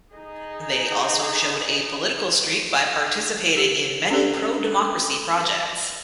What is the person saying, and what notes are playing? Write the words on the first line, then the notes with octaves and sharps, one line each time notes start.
They also showed a political streak by participating in many pro-democracy projects.
D#4 G#4
G4
C#4 D4 G4 A4 D5
A4